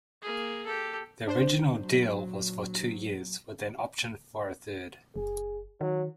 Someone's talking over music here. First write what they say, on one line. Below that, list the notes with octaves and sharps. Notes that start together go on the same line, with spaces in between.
The original deal was for two years with an option for a third.
A#3 G#4
G4 A4
D4 C5
A#2 F#3
F#1 G#4
D#3 F#3